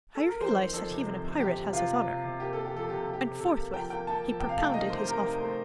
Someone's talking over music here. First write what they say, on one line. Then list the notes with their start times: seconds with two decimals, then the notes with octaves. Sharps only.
"I realize that even a pirate has his honour." And forthwith he propounded his offer.
0.15 A4
0.28 A#4
0.41 F2 C5
0.57 D#3
0.74 F2 A4
0.90 C3
1.06 F2
1.23 C3
1.40 F2 G4
1.57 C3
1.73 C3 F4
1.90 C3
2.07 C3
2.24 C3
2.40 A#3 G4
2.53 A#3 A4
2.65 G4
2.74 F3 A4
2.89 C3 G4
3.02 C3 A4
3.13 G4
3.24 C3
3.40 C3 A4
3.56 A#3
3.74 F3 G5
3.90 A#3 G5
4.07 A#3 A5
4.24 F3
4.40 C3 G5
4.49 F5
4.57 A3 A5
4.65 G5
4.74 D#3 D#5
4.90 C3 C5
5.07 C3 A#4
5.23 D#3
5.40 A3 C5